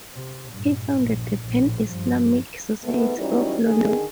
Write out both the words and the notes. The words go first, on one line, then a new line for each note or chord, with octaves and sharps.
He founded the Pan Islamic Society of London.
C3
G2 A#2
A#1
A#1 A2
G2 F3
E2 G#2 A3 B3
E3 F#3 G3 C#4 D#4 E4
D3 D#3 G#4